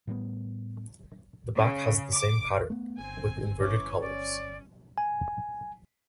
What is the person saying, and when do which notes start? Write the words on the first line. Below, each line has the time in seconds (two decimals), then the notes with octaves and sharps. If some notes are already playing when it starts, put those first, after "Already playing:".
The back has the same pattern, with inverted colours.
0.07 A2 G3 A3 B3
1.54 C#3
2.13 D6
2.70 A3 B3
3.00 G1 C4 G#5
3.60 E3 C#4 C#5 D6
4.00 C#4 D5
4.98 G#5